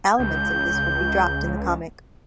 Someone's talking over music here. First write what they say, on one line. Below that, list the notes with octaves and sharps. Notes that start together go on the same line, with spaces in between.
Elements of this would be dropped in the comic.
C#2 G6